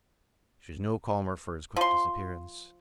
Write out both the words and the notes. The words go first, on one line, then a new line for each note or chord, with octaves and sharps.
She was no calmer for his quick disappearance.
F3 C6